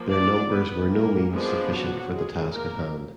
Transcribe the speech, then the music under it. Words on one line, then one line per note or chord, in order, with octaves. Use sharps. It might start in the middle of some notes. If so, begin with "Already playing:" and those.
Their numbers were no means sufficient for the task at hand.
Already playing: F3 A#3
D4 D5
B3 B4
A#3 A#4
F3 G#3 B3 D4 G#4
F#3 F#4
G#3 G#4
A#3 A#4